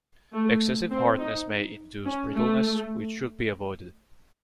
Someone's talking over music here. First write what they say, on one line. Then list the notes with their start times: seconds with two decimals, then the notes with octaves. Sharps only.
Excessive hardness may induce brittleness, which should be avoided.
0.32 A3
0.90 C4
1.19 D#4
2.05 C#4
2.34 A3